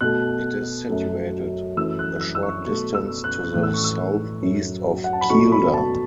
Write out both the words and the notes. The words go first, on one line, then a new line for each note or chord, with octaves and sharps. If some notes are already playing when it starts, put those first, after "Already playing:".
It is situated a short distance to the south-east of Kielder.
B2 A3 F#6
F#2 F#3 A3
F#2 E3 A3 E6
F#6
E6
E6
C#6
B2 A3 C#6
E6
F#6
A2 E3 A3 F#6
E6
C#6
E6
F#2 F#3 A3
F#5
A5
B5
B2 F#3 A3 C#6
B5
A5